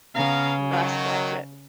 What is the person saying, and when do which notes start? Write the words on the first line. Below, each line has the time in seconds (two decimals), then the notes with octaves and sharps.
You must watch it
0.15 C#3 B3 F5 A#5
0.70 D#3 F#3